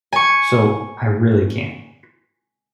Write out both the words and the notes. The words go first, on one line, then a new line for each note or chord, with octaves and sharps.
So, I really can't.
G#5 C#6